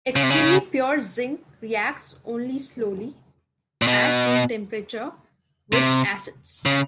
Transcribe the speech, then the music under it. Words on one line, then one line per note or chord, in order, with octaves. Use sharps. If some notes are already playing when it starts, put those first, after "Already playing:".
Extremely pure zinc reacts only slowly at room temperature with acids.
C#3
C3
C#3
A#2
B2
C3
C#3